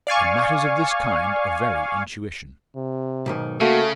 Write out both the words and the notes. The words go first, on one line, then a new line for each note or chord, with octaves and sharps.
In matters of this kind a very intuition.
D5 F5 G#5 C#6
C3
B1 G#2 D#3
C#3 A3 A#3 F#4